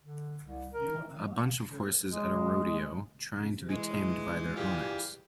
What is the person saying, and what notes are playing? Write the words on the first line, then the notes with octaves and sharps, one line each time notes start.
A bunch of horses at a rodeo, trying to be tamed by their owners.
D3
C2
A#4
G#3
E3 G#3
E3 G3 F4 G4 G#4